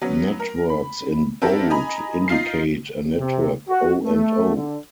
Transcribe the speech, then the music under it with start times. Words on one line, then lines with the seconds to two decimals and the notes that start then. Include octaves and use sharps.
Networks in bold indicate a network O and O.
0.01 F#3 B3 C#4
0.40 A#4
0.69 B5
1.42 C4 E4 F#4 G4 A4 A#4
1.70 D#5 G#5 A#5 B5
2.28 D#4 F4 C7
3.18 C3
3.68 F#4
4.04 A3
4.55 D3